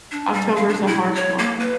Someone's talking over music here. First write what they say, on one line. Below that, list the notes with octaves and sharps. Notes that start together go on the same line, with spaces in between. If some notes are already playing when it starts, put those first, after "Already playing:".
Octobers a harsh month.
D4
G3
F5
D4
E4
C#5
A#3
B4